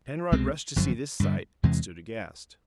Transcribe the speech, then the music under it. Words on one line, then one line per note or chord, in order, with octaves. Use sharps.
Penrod rushed to see this sight, and stood aghast.
C2 B2 G#3 C4
G1 F#2 D3 F3
G2 D3 G3
E2 C3 E3 G#3